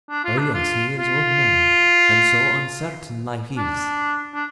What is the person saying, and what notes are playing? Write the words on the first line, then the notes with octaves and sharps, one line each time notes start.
Oh, yes--he is old man, and so uncertain life is.
D4
F4
D4
F4
F4
D4
D4